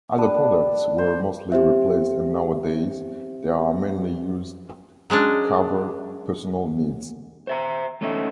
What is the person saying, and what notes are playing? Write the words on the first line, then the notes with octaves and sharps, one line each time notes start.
Other products were mostly replaced and nowadays, they are mainly used cover personal needs.
G3 D4 B4 A5
C5
C4 G4 C5 E5
F#3 G#3 C#4 D4
C5 E5 A#5
E2 A3 C#4 D#4 A4 E5